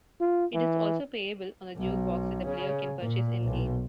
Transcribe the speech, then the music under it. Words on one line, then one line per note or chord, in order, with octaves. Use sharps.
It is also playable on the jukebox that the player can purchase in-game.
F4
E3
B1
C#3
A#2
B1